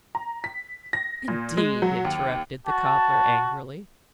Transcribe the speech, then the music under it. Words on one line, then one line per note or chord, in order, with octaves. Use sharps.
'Indeed!' interrupted the cobbler angrily.
A#5
B6
A#6
A#2
G#3
F#3
D#2
F#4 A5